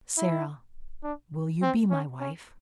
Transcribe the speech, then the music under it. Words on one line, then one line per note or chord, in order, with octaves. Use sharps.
"Sara, will you be my wife?"
E4
D4
C4
C#4
C#4